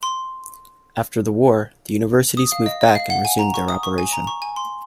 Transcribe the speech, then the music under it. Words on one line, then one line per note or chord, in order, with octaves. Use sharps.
After the war, the universities moved back and resumed their operation.
C6
D#6
F5
D#5
D#5
F5
F#5
G#5
A#5
C#6
D#6
C#6
G#5
A#5
C#6
G#5
C6